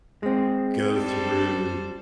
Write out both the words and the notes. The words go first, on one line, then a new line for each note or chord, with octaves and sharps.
go through
G#3 C4
G3 A4 C5